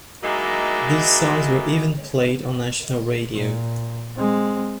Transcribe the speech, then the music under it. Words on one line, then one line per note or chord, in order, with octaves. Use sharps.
These songs were even played on national radio.
F#3 G#3 A#3 D#4 E4 D5
A#2
G#3 C4